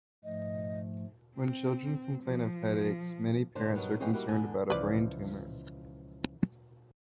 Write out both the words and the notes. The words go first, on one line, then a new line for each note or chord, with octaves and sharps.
When children complain of headaches, many parents are concerned about a brain tumor.
G#2 F3 A3 D#5
C4
F3
D3 A3 D4 C5
G2 B2 D#3 F#3
G#2 C#3 E3 G#3 C#4 G5
G3 A#3 D#4 E4 F#4 G4
E2 D3 D5 G#5
C#2 E3 F3 B4 D5